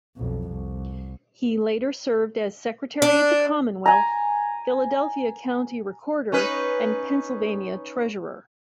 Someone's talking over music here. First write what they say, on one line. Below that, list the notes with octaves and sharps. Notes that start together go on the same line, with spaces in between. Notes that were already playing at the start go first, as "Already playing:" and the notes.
He later served as Secretary of the Commonwealth, Philadelphia County Recorder, and Pennsylvania Treasurer.
B1 F2
C2
D4
G#5 A#5
C#4 D#4 B4